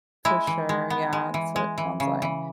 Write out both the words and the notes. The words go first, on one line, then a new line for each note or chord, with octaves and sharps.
For sure, yeah, so, that sounds, like
G#3 E4
E3
G#3
B3
G#3
E3
G#3
E3
C#3
E3